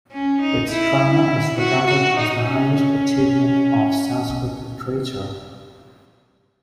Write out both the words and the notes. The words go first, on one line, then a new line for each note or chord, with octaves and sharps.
Its drama is regarded as the highest achievement of Sanskrit literature.
C#4
D#4
E4
E4
F#4
F#4
D#4
C#4